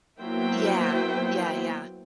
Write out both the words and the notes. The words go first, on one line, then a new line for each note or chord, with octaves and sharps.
Yeah. Yeah, yeah.
F#3 A#3 B3 E4 C5 G5